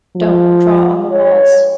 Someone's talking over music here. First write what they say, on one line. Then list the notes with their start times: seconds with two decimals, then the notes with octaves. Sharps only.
Don't draw on the walls.
0.16 F3
1.12 C#5